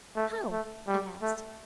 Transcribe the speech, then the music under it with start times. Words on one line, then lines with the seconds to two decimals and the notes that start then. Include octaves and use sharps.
"How?" I asked.
0.16 A3
0.51 A3
0.87 G3
1.22 A3